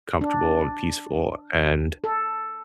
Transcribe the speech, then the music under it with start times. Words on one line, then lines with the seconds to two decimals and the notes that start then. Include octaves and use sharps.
comfortable and peaceful, and
0.21 D4
2.04 A4